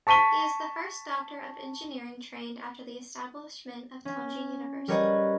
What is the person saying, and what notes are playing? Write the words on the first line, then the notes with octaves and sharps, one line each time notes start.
He is the first doctor of engineering trained after the establishment of Tongji University.
A5 C#6 B6 D#7 G7
C#4
G3 A#4 B4 C#5 D#5